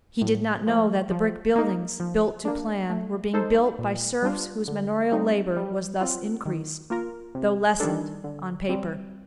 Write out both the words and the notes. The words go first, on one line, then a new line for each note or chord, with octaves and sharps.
He did not know that the brick buildings, built to plan, were being built by serfs whose manorial labor was thus increased, though lessened on paper.
A2
F3 A3
F3
A#3 D#4
F3
A#3 D4
A3
D#4 A4 C5
A#2
G3 D4 F4
D3
G3 C4 D#4
G3
C4 F4
D#3
A#3 F4 A#4
C3
D#3 G3 D4 A4
D3
G3 C4